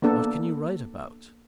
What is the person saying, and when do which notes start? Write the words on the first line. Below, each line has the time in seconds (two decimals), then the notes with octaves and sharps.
What can you write about?
0.02 A#3 B3 D4 A4